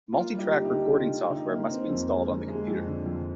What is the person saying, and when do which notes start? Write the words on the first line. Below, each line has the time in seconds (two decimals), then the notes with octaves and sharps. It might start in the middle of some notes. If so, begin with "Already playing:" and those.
Multitrack recording software must be installed on the computer.
0.13 A#3 F4
0.32 G3
0.38 D#4 G4
0.52 D3
0.65 D#4 G4
0.72 D3
0.91 D3 F4
1.11 D3
1.30 D3 D#4
1.49 A#3
1.69 C4
1.89 F2
2.09 G#3
2.28 D3
2.48 G#3
2.68 F2
2.87 D3
3.06 F2